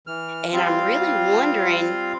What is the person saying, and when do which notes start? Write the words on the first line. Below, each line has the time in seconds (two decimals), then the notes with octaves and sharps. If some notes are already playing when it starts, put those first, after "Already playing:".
and I'm really wondering,
0.07 E3 F6
0.53 G3 C4 F4 F5